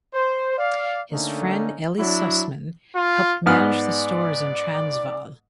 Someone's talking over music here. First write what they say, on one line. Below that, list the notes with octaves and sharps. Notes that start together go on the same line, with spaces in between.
His friend Eli Susman helped manage the stores in Transvaal.
C5
D5 F5
D3 A3 A#3 C#4 D#4
F#3 D4 E4
F4
G#2 B3 D5 F6